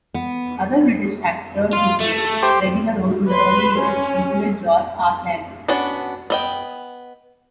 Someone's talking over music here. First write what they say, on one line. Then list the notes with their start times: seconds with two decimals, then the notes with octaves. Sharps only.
Other British actors who played regular roles in the early years included Joss Ackland.
0.14 B3
1.73 F4
2.00 A3
2.43 G4 C5
3.28 B4 C6
3.79 C#4
5.68 B3 C#4 D4 F#4 D5
6.30 B3 D#5 G5